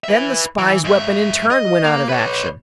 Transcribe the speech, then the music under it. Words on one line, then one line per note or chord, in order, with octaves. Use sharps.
Then the spy's weapon in turn went out of action.
B4 E5
E3
G#2 E5
D#5
A#3
B4 C#5